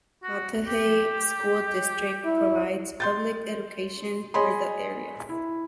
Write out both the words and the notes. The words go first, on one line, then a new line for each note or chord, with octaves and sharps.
The Cudahy School District provides public education for the area.
F#4
G4
E4
C6 G6 A6
G#4 C#5 D#5 B5 C6
E4